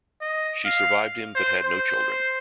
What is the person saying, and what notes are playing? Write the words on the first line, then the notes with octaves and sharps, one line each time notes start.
She survived him but had no children.
D#5
F5
C5
C5